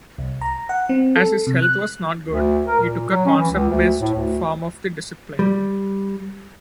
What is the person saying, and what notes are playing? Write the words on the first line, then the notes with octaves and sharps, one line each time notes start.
As his health was not good, he took a concept-based form of the discipline.
C2
A#5
F#5
C4
A4
C3
F#6
D2
A#4
A#2
F#3
C#4
E3
C#2
D2
A2
D2
G3